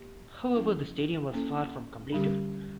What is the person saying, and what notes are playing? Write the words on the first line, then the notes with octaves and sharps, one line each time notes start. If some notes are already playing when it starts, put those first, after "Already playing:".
However, the stadium was far from completed.
Already playing: A#3 G4
F3 A#3 C#4 E4
A#3 C#4 E4 A4
D3 G3 C#4 G4